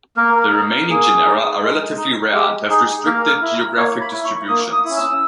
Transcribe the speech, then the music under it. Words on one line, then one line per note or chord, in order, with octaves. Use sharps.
The remaining genera are relatively rare and have restricted geographic distributions.
A#3 A#4
D#4
A#3 G#4
D#4
G#3
D#4
G#3 G4
D#4 G#4
A#3 A#4
E4
A#3 C#5
B5
E4
C#6
A#3 D#6
D#6
C#4 E4
E6